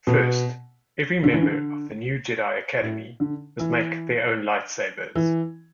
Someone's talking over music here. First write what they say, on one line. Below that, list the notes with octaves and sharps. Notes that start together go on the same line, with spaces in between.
First, every member of the New Jedi Academy must make their own lightsabers.
B2
D3
E3
D3
A2
D3
E3
E3